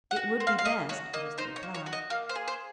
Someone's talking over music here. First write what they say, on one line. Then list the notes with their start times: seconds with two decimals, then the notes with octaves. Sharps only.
"It would be best," was the reply.
0.11 F#5
0.16 F#4
0.40 C4
0.47 F5
0.59 F5
0.65 A#3 D#5
0.89 F#4 C#5
1.13 A#3 D#5
1.38 D#4 C5
1.56 C#5
1.63 A#3
1.74 C#5
1.86 F#4
1.93 D#5
2.10 A#3 F5
2.29 C5
2.35 G#4
2.48 C5